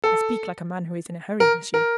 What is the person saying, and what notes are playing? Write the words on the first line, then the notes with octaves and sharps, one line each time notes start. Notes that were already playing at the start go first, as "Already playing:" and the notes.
"I speak like a man who is in a hurry, monsieur."
A4
A#4
A#4